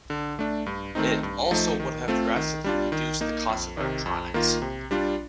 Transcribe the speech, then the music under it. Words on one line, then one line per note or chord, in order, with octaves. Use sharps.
It also would have drastically reduced the cost of electronics.
D3
A3 D4
G2
D#3 A3 C4 D#4
G2
F3 A3 D#4
D#3
A3 C4 F4
D#3
G3 D4 F4
D#3
A#3 D#4
F2
C3 D#3
F2
D#3 A#3 F4
C3
G3 D4 F4